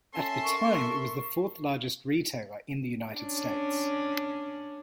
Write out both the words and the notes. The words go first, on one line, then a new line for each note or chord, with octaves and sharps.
At the time it was the fourth largest retailer in the United States.
C#4 A4 E5 A5 C6
A#4 C#6
C#4 D4